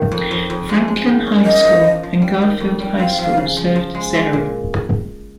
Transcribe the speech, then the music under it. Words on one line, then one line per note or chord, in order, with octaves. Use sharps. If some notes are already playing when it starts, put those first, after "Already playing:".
Franklin High School and Garfield High School serve this area.
Already playing: D#3 A#3
F2
F2
F2
G#3
G#3
D#3
C#4
A#3 D#5
F3
F3
F3
G3
D#3
F2
G3
C4 F5
F3
C#3
F3
F3
G#3
G#3
A#2